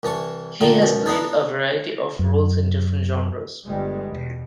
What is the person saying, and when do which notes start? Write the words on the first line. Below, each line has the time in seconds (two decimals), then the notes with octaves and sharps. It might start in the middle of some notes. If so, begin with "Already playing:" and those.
He has played a variety of roles in different genres.
0.03 C2 E3 A5 C#6
0.61 A#2 D3 D#3 A5
0.82 C#2 F#2 B2
1.06 B3 D4 D#4 A4
2.19 F#2
3.66 G1 G3 G#3 B3
4.09 E2 B2